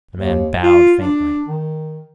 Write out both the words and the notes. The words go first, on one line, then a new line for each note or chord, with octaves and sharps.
The man bowed faintly.
D#2
F4
D4
D#3